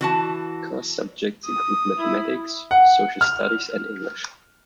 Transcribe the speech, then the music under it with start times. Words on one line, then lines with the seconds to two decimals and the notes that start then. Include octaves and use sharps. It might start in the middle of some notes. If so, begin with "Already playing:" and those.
Core subjects include mathematics, social studies and English.
0.01 E3 F#4 A5
1.46 D#6
1.99 E4
2.71 F#5
3.21 F6